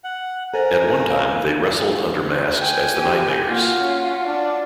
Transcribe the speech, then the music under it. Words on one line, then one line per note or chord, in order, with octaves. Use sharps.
At one time, they wrestled under masks as The Nightmares.
F#5
A4 A#4 C5 G#5 A#5
F5
G5 G#5
G4
A#3 F4 F#4
C#4
D4